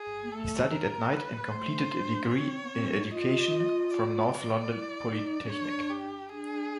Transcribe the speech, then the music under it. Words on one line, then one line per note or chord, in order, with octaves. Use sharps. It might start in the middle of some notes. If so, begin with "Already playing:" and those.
He studied at night and completed a degree in education from North London Polytechnic.
Already playing: G#4
A#3
A3 A4
A#4
B4
A3 C5
D4
C4 C#5
B3
C4
D#4
E4
F4 D#5
D5
E4
D#4
C#4
D4 C#5
G4
D4 G#4